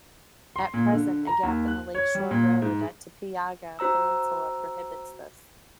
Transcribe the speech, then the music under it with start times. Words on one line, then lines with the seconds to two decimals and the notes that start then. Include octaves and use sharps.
At present a gap in the lake shore road at Tepeyaga peninsula prohibits this.
0.56 C6
0.74 A#2
0.93 D3
1.27 A#5
1.43 D#2
1.68 F#6
1.95 C#5
2.15 G3
2.31 A#2
2.62 G#2
3.79 F#4 C5 A#5 E6